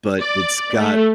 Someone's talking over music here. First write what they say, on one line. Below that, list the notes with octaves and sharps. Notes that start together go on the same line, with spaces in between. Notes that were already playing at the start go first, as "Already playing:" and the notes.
but it's got
D5
A3